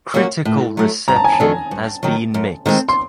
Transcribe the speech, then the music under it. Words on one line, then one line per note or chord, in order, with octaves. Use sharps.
Critical reception has been mixed.
F#3 A#3 C#4 F#4
A2
F#3 A3
G2 A#5
A5
G#5
A5
D#3 F#3 A3 D4
G2
D#3 F#3
F#2
D#3 G#3 C4
C6